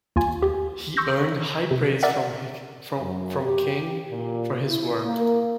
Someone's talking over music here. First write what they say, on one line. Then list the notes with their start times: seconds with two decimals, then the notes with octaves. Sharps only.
He earned high praise from King for his work.
0.16 D#2 F4 G#5
0.42 G4
0.97 C6 C#6 E6 G6 A#6
1.71 C3
2.03 A#4 D5 E5 F#5
3.01 F#2
3.44 G4
4.10 A#2
4.67 E4
5.05 A#3